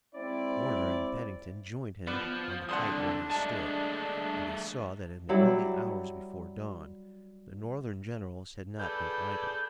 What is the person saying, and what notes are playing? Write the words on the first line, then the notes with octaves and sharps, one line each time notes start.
Warner and Pennington joined him on the height where he stood, and they saw that in the early hours before dawn the Northern generals had not been idle.
G#3 C4 E4 D5
F3 B3 D5
C2 D3 D4 F#5 C6 D#6
G#3 A3 A5
F#3 G3 E4
G#4 A4 B4 D5 G6